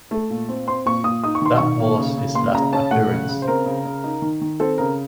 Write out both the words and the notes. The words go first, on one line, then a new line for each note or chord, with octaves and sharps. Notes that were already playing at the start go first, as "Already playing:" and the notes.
That was his last appearance.
A3
A#2
C4
C4 C6
A#2 C#6
A#2 D#6
D#4 D#6
C#6
D#3 C6
D#3 C#6
A#3
C#3
C#3
A#3 C6
C#3 A#5
C#4 A5
A3 F#5
C#3
C#3
C5
C4 A#4
C#3
C#3
D#4
D#3
D#3
C4 A4
C#3 A#4